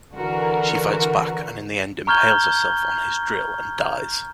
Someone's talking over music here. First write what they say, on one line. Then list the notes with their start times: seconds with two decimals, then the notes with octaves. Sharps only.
She fights back and in the end impales herself on his drill and dies.
0.13 D3 E3 F#4 A#4
2.07 A#5 C#6 F6 G6 G#6 G7